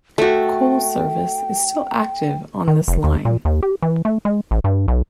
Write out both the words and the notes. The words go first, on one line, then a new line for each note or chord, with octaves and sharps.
Coal service is still active on this line.
A3 F#4 G5
D#3
F1
D#2
A#2
D#2
G4
E3
A3
G#3
A1
G2
B1